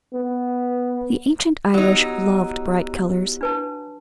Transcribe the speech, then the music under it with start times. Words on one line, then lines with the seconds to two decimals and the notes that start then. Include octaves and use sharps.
The ancient Irish loved bright colours.
0.14 B3
1.74 F#3 B3 D#4 E4 G4
3.41 D4 B4 A5